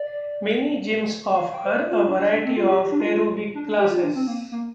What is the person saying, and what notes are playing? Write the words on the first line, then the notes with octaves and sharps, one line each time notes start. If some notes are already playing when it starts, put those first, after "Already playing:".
Many gyms offer a variety of aerobic classes.
Already playing: D5
F5
G5
C5
D5
F4
D4
D4
D4
C4
F4
G4
G4
D4
F4
D4
D4
G4
F4
D4
C4
A#3
A#3